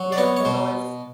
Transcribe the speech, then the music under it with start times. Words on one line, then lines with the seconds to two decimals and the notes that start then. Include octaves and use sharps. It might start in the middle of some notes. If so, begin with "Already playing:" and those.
Yep, it's always
Already playing: F#3
0.12 D5
0.18 B3 C#5
0.37 C#5
0.45 B2 C5